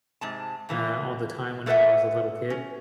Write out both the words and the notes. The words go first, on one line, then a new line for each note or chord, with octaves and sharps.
uh, all the time whenever I was a little kid,
G#2 C3 A5
G#2 E3 A#3
A3 A4 B4 C#5 E5 F#5
C#4